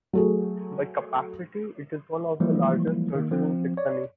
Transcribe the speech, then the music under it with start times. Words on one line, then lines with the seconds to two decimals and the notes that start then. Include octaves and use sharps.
By capacity, it is one of the largest churches in Saxony.
0.13 F#3 A3 G#4
2.40 E3 F3 G3 G#3 A#3 E4
3.15 D#3 A#3
3.31 F3 C4
3.77 C#5 D5